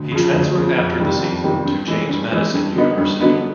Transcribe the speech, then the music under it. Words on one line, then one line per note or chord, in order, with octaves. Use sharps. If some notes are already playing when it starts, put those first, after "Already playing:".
He transferred after the season to James Madison University.
Already playing: D2
C#3 F3
D2
C#3 F3
F2
C3 D#3 G3
F2
C3 D#3 G3
G2
E3 G#3
G2
E3 G#3
G2
D3 F#3 B3 D#4
G2
D3 F#3 B3 D#4